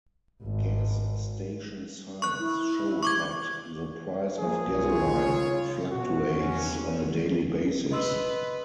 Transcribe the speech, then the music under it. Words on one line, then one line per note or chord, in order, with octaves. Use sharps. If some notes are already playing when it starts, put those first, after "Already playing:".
Gas station signs show that the price of gasoline fluctuates on a daily basis.
G#1
C#6 F#6
E4
C#6 D6 G#6
F3 A#3 G#4
B1 B2 F4 C#5
C#3
B2 F#4
F#1 E2 G2 C#4
B4 D#5 C6 E6